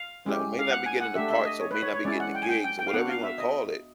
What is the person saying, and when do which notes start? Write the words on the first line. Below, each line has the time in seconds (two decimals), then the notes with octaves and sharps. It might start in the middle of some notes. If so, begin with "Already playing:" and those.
Now, they may not be getting the parts, or may not be getting the gigs, or whatever you wanna call it,
Already playing: F5
0.26 G#3 C#4 E4 G4
0.59 F5
0.71 F#5
0.86 G#5
1.00 F#5
1.15 A3 D4 G4 E5
1.30 E5
1.45 D#5
1.60 C#5
1.71 B4
1.83 C#5
1.94 C#5
2.04 G#3 C#4 E4 D5
2.20 F#5
2.35 G5
2.43 G#5
2.49 G5
2.64 G5
2.79 G5
2.87 F5
2.93 B3 D4 F#4 F#5
3.09 F5
3.23 E5
3.38 D#5